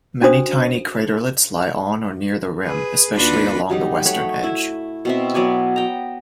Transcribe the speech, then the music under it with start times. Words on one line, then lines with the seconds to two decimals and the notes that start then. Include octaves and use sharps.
Many tiny craterlets lie on or near the rim, especially along the western edge.
0.21 C#4 D4 F#4 C5 D#6
2.65 G#4 B4
3.14 D#2 D4 F4 F#4 B4 B5
3.70 F#3 G3 D#4
4.05 A3 C#5 F#5 B5
4.44 E4
5.05 B2 C4 E5
5.34 F#3 B3 D5 G#5
5.76 B3 G5 A#5